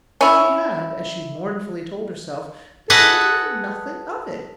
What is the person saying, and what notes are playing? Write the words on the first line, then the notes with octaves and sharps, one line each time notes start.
She had, as she mournfully told herself, been able to make nothing of it.
C#4 E4
G#4 A4 B4 D#5 F#5 A5